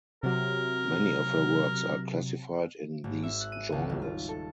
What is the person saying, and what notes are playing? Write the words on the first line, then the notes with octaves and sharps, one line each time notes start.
Many of her works are classified in these genres.
C3 F#3 A#4
G#1
E5
F#6
D#7
C#2
D#1
F4
A4